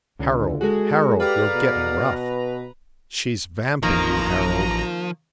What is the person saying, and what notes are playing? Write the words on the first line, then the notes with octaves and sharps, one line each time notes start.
"Harold, Harold, you're getting rough!"... "She's vamping you, Harold!"...
C#2 D3
G#3 F#4 G#4 A4
G4 B4 D5 F5 A#5
B2
A1 D#3 F3 A#3 A#5 A#6